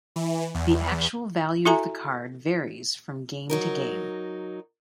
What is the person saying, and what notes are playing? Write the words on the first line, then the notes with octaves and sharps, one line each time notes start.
The actual value of the card varies from game to game.
E3
E2
E4 F#4 A4 E5 G#5 A#5
F#3 D#4 A#4